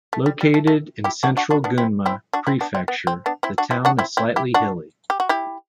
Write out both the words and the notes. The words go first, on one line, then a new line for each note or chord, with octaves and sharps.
Located in central Gunma Prefecture, the town is slightly hilly.
A3
G3
G3
A3
A3
E4 G4
D4 F#4
D4 F#4
D4 F#4
B3 D4
C4 E4
C4 E4
D4 F#4
C4 E4
B3 D4
C4
B3
C4
B3 D4
C4 E4
D4 F#4
C4 E4
D4 F#4
C4 E4
C4 E4
E4 G4
D4 F#4
G4
F#4
E4 G4